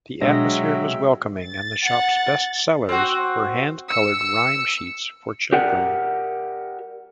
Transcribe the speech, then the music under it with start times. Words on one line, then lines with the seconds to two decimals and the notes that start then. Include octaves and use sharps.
The atmosphere was welcoming, and the shop's best-sellers were hand-coloured rhyme sheets for children.
0.21 B2 F#3 G#3 D4 E5 G5 E6 A#6
1.38 A6
1.84 F#5
2.89 C4 F#4
3.90 E6 C#7
5.52 G4 A#4 D5 F#5